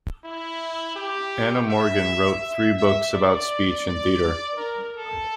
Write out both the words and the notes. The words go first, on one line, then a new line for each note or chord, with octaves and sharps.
Anna Morgan wrote three books about speech and theatre.
E4
G4
E5
E5
E5
D5
D5
A#4
A4